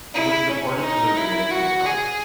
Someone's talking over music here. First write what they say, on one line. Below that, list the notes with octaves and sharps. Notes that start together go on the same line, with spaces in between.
He was deported to the Dominican Republic.
E4
C#4
D#4
E4
F#4
G#4